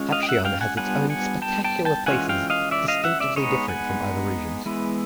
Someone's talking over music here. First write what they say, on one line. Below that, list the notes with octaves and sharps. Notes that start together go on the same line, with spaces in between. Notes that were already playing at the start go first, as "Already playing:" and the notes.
Hapcheon has its own spectacular places distinctively different from other regions.
Already playing: G#3 C#4 F4
D#5 F5
G5
E5 F#5
F5 G5
F#5 G#5
G3 B3 D4 F4 F#5 G#5
F#5 G#5
G5 A5
G5 A5
G5 A5
E3 G#3 C#4 F4 F#5 G#5
F5 G5
D#5 F5
D5 E5
D#5 F5
E5 F#5
D5 E5
G#3 B3 D#4 C#5 D#5
F#5 G#5
E3 G#3 B3 E4